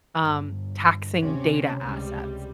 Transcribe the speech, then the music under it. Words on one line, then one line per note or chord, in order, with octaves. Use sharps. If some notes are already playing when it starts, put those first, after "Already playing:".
um, taxing data assets.
G1
D2 C3 C#4
C#2 C3 G3